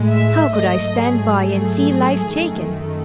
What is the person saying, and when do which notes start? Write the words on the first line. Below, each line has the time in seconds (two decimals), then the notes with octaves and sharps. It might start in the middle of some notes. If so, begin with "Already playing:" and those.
How could I stand by and see life taken?
Already playing: A2 G#3
0.10 E5
0.55 G#2 F#3 A3 D#5
1.01 G#4
1.45 G#4
2.36 F#2 D#3 A3